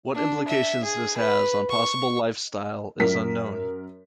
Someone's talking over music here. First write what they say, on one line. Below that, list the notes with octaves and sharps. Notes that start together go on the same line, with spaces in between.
What implications this has on possible lifestyle is unknown.
D4
E5
G#4
B4
C#6
F#2 A#4 B6